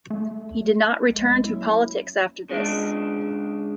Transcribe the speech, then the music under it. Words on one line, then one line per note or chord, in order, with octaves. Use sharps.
He did not return to politics after this.
A3
A#1 G#3
F#3 A#3 C#4 E4
C#3 G#3 D4